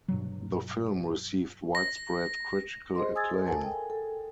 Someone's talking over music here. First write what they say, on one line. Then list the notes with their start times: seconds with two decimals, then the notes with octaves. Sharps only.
The film received widespread critical acclaim.
0.08 G2 B2 F#3
1.75 A#6
2.95 G#4 C5 D#5 C6
3.15 G#5 D#6 E6 G#6 A6
3.30 A4 A#4
3.47 F#5 G#5 A5
3.63 G5
3.90 A4